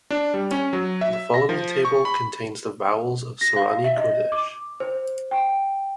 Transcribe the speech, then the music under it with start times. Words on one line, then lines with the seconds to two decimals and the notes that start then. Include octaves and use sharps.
The following table contains the vowels of Sorani Kurdish.
0.10 D4
0.34 G3
0.51 C#4
0.73 F#3
1.01 E5
1.34 A#6
1.49 F3
1.85 C#6
2.05 B5
3.41 A#6
3.56 F5
3.84 E5
3.97 D#5
4.32 D6
4.80 C5
5.31 G5